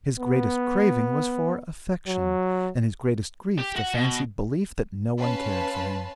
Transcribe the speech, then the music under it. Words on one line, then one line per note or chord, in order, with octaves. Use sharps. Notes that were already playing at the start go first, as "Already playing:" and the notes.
His greatest craving was for affection, and his greatest grief the fancied belief that no one cared for him.
B3
F#3
G4
F#4 F#5
B2
C#4 B4 C#5 F5 A5 C6